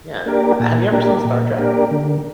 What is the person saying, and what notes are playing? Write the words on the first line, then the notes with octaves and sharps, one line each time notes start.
Yeah. Uh, have you ever seen Star Trek?
A#3 D4 G4 A#4
A#2
A#3 D4 G4 A#4
A#2
A#3 D4 G4 A#4
D3